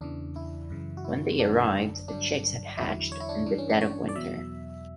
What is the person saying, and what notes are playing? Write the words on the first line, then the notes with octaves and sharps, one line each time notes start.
When they arrived the chicks had hatched in the dead of winter.
E2 C#3 E3 D4
E4
F#2 C#3 E3
F#4
E4
F#2 D3 F#3 D4
G2 D3 F#3 D4
E2 D3 F#3 E4
C#5
E4
D4
G2 E3 D4
C#4
D4
C#5
D5
E2 B2 F#3 E5